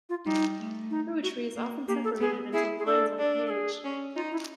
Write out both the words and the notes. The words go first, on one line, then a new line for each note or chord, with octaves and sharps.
Poetry is often separated into lines on a page.
F4
G3 D#4
A3
D#4
F#4
A#3
A#3 G4
A4
B3 G#4
E4 G#4
G#4
D4 A4
D4
A4
G#4
C#4
D#4 F4
E4